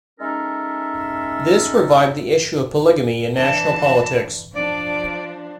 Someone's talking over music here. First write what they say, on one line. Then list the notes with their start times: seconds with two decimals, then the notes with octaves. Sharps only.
This revived the issue of polygamy in national politics.
0.20 G#3 C#4 D#4 A4 A#4 E5
3.36 E3 D4 A5
4.54 F3 D4 D5